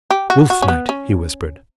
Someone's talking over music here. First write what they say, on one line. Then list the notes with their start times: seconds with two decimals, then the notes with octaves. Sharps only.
"Wolf night!" he whispered.
0.11 G4
0.30 F#4
0.50 F#4
0.62 C#4
0.68 B3
0.89 C#4